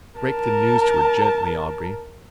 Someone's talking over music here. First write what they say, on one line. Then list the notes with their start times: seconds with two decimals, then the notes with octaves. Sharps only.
Break the news to her gently, Aubrey!
0.19 A#4 A5